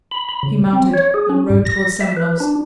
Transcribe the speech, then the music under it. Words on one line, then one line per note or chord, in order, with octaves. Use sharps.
He mounted and rode toward Semenovsk.
B5
B5
C#3
C4
C#5
G#4
C#4
G#2
A#6
E5
B4
D4